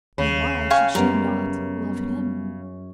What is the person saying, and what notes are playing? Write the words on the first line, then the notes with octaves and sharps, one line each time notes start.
And why should she not--love him?
D#2 C#3
F5 G5 G#5 C#6
F#2 G3 B3 A#4